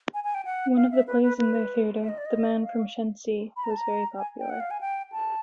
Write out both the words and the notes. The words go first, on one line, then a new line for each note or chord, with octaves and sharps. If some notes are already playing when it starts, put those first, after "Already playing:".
One of the plays in their theatre, "The Man from Shensi", was very popular.
G#5
G#5
G5
F#5
F5
E5
B4
B4
B4
E5
D#5
D5
D#5
F5
B5
A#5
A5
A#5
G#5
G5
F#5
F5
G#5
G5
A5